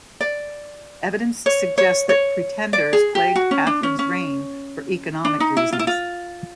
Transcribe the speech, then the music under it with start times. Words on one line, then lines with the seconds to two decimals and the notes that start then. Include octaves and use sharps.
Evidence suggests that pretenders plagued Catherine's reign for economic reasons.
0.21 D5
1.46 C#5
1.78 C#5
2.09 C#5
2.73 D5
2.93 G#4
3.15 G4
3.36 F#4
3.51 C#4
3.67 D4
3.83 C#4
3.99 C#4
5.25 D4
5.40 D#4
5.57 E4
5.72 F4
5.79 E4
5.87 F4